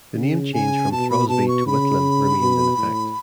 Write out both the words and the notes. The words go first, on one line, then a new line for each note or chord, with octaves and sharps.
The name change from Throsby to Whitlam remained in effect.
C#3
C#3 G#5
B2 A5
B5
B2 A5
C#6
C#3 B5
B2
A2